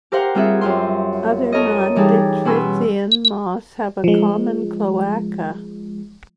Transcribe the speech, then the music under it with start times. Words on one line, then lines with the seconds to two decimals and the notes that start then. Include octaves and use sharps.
Other nonditrysian moths have a common cloaca.
0.12 G4 A#4 C5 F5 F#5
0.35 G3 C4 F4 G#4 E5 F#5
0.61 F#2 C4 F4 G4 C6
1.52 A4 A#4 C#5 D#5
1.96 E3 G3 D#4 G#4 A4
2.45 B2 C#4 B4 G#5 C6 E6
4.04 F3 G#3